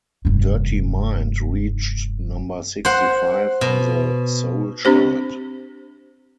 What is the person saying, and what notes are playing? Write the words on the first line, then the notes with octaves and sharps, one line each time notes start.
"Dirty Mind" reached number sixty-five on the soul chart.
F1 G2
C5 F#5
B2
C4 D4 G4 C5